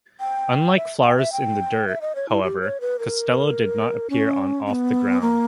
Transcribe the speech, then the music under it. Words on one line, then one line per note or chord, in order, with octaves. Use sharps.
Unlike "Flowers in the Dirt", however, Costello did not appear on "Off the Ground".
G5
E5
G5
E5
G5
E5
D#5
C#5
E4
G4
C#5
B4
A#4
C#4
C#4
B3
A#3